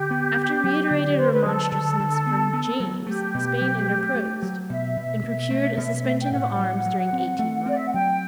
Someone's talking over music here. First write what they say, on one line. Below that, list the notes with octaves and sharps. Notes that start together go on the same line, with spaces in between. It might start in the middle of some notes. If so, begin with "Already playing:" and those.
After reiterated remonstrances from James, Spain interposed, and procured a suspension of arms during eighteen months.
Already playing: D3 G4
B3
B3
F#3
D3
D5
D3 C5
B4
F#3 A4
D3
D3
B3
B3
F#3
A4
A3 G4
B2
F#3
A3
A3
F#3
B2 E5
B2
B2
A3
B2
A3
G5
A2 F#5
F#3
F#3
C4
A3
C4 D5
E5
F#5
F#3 G5